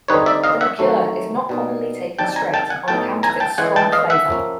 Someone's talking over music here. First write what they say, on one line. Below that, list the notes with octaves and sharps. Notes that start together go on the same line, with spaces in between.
The liqueur is not commonly taken straight on account of its strong flavour.
D3 G3 C4 D#4 B4 C#5
D5 E5
D#5 F5
E5 F#5
C3 D#3 F#3 A3
B2 G3 A#3 D#4
C3 D#3 F#3 A#3 D4 G5 A5
G#5 A#5
G5 A5
F#5 G#5
A2 F#3 B3 D#4 G5 A5
G#5 A#5
G5 A5
E3 G#3 C#4 F#5 G#5
G5 A5
D#5 F5
E5 F#5
F3 A#3 C#4